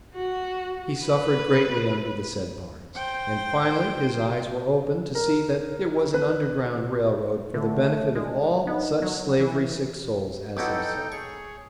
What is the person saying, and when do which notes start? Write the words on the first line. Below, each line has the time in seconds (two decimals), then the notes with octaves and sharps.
He suffered greatly under the said Barnes, and finally his eyes were open to see that there was an Underground Rail Road for the benefit of all such slavery-sick souls as himself.
0.14 F#4
1.02 B4
2.96 C5 G5
5.15 A#4
6.14 B4
7.54 D3 A3
8.15 G#3 D4
8.67 B3 D#4
9.02 F#3
9.39 C#3 E3
10.57 B1 D#4 E4 F#4 A4 G5
11.12 G#4 C#5 C#6